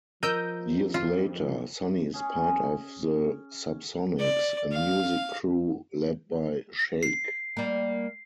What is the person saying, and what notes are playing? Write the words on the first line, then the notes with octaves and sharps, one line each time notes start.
Years later, Sunny is part of the Subsonics, a music crew led by Shake.
F3 A#4 D#5 E6 G6 D#7
F2 F4
C#4 G#4
D5
F5
C7
G3 A#3